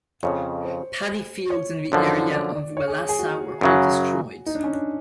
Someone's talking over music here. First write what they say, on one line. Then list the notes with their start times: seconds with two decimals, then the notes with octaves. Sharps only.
Paddy fields in the area of Wellassa were all destroyed.
0.23 F2 C#3 F3 C#5
0.65 C5
1.50 C#5
1.92 F#2 D3 F3
2.35 D5
2.55 D5
2.77 C#5
2.88 G#4
2.98 G#4
3.09 G#4
3.19 F#4
3.61 F#2 C#3 F#3
4.46 D#4
4.55 D4
4.64 C#4
4.73 D4